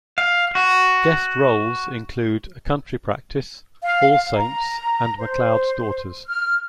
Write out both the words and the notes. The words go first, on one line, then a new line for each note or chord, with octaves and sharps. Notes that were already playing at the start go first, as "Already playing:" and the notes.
Guest roles include A Country Practice, All Saints and McLeod's Daughters.
F5
F#4
F5
A#5
C5
F6